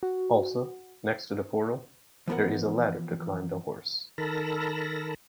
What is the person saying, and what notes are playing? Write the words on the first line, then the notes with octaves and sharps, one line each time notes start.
Also, next to the portal, there is a ladder to climb the horse.
F#4
E3 F3 B3 A#4 F#5
D#3 A4 A#4 A5 B5 A#6